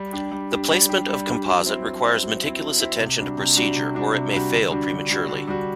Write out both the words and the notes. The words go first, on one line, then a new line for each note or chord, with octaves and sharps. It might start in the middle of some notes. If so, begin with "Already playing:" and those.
The placement of composite requires meticulous attention to procedure or it may fail prematurely.
Already playing: G3
D4 G4
G3
D4 G4
G3
D4 G4
G3
D4 G4
F#3
C4 E4
F#3
C4 E4
F#3
C4 E4
F#3
C4 E4
C3
G3 D4 F#4
C3
G3 D4 F#4
C3
G3 D4 F#4
C3
G3 D4 F#4
D3
G3 D4 F#4
D3
G3 D4 F#4
D3
G3 D4 F#4